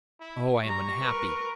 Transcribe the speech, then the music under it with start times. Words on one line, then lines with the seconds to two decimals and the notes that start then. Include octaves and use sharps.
Oh, I am unhappy!
0.20 E4
0.64 G3 A#5 C#6
1.01 A#4 B4